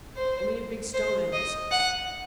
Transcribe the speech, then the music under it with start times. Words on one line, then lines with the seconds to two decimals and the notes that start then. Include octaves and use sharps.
Only a big stone I loosened.
0.17 C5
0.94 C5
1.33 D#5
1.71 F#5